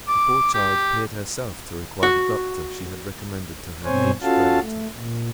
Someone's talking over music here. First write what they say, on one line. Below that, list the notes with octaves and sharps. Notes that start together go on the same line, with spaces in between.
The poor child appeared herself to require the doctor she had recommended to her aged relative.
D6
G4
F#4
G2 B2 C4 C5 C#5 G#5
C#4 F4 F#4 A4 F5 A5
A3
A#2